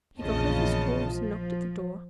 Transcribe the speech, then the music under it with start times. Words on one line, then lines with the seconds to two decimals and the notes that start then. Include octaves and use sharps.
He got off his horse and knocked at the door.
0.21 A#1 E2 C#3 F4 D#5 A5
1.10 F3